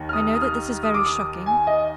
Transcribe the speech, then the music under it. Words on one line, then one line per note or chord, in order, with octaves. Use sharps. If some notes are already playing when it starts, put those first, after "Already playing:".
I know that this is very shocking.
Already playing: D#2 D#3
F6
D#6
D#6
F6
D#6
D6
D#6
G#5
D#5